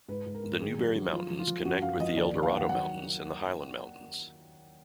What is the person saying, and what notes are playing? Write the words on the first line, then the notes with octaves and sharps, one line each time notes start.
The Newberry Mountains connect with the Eldorado Mountains and The Highland Mountains.
G#2 B4
G#2
A#4
G#2
D#3 G#4
F#3
F#3 F#4
F3 F4
F3
F4
F3
F#2 F#4
F#2 F5
F3 D#5
D#2 D5
D#2
F5
D#3 F#5
F#3 F#5